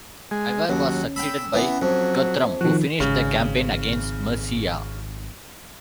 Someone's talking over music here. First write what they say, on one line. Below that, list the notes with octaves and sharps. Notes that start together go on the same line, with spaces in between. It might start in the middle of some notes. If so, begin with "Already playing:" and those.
Ivar was succeeded by Guthrum, who finished the campaign against Mercia.
G#3
D#2 F#3 C#4
G5 B5 E6
E3 B3
F2 F#3
D#3 F3 F#4
G#1 C#3